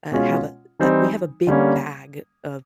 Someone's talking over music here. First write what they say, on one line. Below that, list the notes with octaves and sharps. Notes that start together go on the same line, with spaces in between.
uh, have a uh, we have a big bag of
B2 G#3 C#4 F4
E3 G3 C4 D#4
D3 G3 A#3 C#4